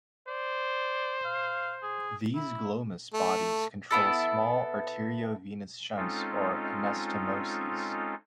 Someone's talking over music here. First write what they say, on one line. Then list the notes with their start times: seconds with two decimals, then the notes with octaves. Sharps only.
These glomus bodies control small arteriovenous shunts or anastomoses.
0.28 C5 D5
1.25 F5
1.83 G#4
2.35 E4
3.14 A3
3.91 B3 E4 A4
5.96 G#3 C4 C#4 D#4 F4 A4